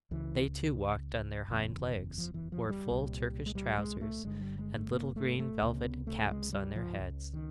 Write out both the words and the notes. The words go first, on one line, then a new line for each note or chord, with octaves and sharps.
They too walked on their hind legs, wore full Turkish trousers, and little green velvet caps on their heads.
C#2 C#3 E3
F#1 E2 C#3
F3
E3
F3
G3
C2 A#2
G#3
G3
G#3
A3
G1 G2 D3 G#3
G3
G#3
A3
A#3
A3
A3
C#2 C3 A#3
B3
A3
G#3
G3
F3
C#2 C#3
D#3